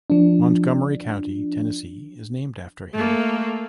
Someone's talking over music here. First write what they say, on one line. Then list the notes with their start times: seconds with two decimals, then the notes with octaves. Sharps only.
Montgomery County, Tennessee is named after him.
0.10 F3 D4
2.93 A3 A#3